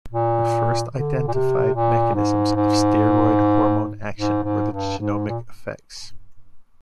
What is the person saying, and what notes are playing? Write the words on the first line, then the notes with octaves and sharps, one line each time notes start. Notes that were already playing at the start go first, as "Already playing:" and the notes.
The first identified mechanisms of steroid hormone action were the genomic effects.
A#2
D3
A#2
C3
A#2
G#2
G#2
G#2
G#2
G2
G#2
A#2